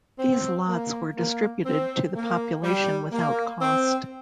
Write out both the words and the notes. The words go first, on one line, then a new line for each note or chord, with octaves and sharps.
These lots were distributed to the population without cost.
C4
A#3
A#3
C4
A#3
G3
A#3
C4